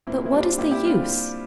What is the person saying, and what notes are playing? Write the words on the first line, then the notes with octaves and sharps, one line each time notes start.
But what is the use?
A#2 C4 E4
E4
G3 C4 D4 F4
A#2 E4 G4
E4 G4
G3 C4 D4 F4